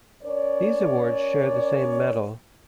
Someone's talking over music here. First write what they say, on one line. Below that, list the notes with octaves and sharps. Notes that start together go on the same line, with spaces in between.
These awards share the same medal.
C#4 A#4 C#5 D5